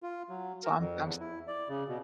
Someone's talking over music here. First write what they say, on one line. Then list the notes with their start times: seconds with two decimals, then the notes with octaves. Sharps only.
So, I'm I'm s
0.03 F4
0.29 F#3
0.64 A#4
0.78 F2
1.02 E2
1.20 E4
1.47 D5
1.69 C#3
1.88 B2